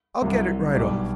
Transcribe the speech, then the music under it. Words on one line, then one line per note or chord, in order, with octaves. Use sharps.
I'll get it right off.
C2 C3 F#3
B1 B2 G3 D5